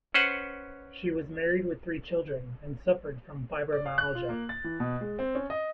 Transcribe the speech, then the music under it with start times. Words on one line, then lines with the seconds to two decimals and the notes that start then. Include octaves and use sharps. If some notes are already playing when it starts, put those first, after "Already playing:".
She was married with three children, and suffered from fibromyalgia.
0.14 C#4 B4 C5 F#5
3.72 D5
3.86 F5
3.98 F#6
4.15 F4
4.29 A#3
4.49 A6
4.64 E3
4.80 B2
5.01 G#3
5.19 C4
5.35 C#4
5.50 D#5